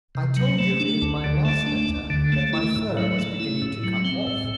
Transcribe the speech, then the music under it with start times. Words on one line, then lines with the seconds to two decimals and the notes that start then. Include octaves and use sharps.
I told you, in my last letter, that my fur was beginning to come off.
0.15 C3
0.37 F#3
0.59 A3
0.80 D4
1.02 D2
1.24 D3
1.45 A3
1.66 D4
1.89 D2
2.10 D3
2.32 A3
2.53 E4
2.76 A2
2.97 F#3
3.19 A3
3.40 E4
3.62 A2
3.84 F#3
4.05 C4
4.27 A2